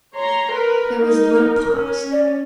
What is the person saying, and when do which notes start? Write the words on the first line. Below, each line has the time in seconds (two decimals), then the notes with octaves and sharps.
There was a little pause.
0.16 C#5 A#5 C6
0.52 A#4 B4
0.99 D#4 A#4
1.72 C#4
2.12 D5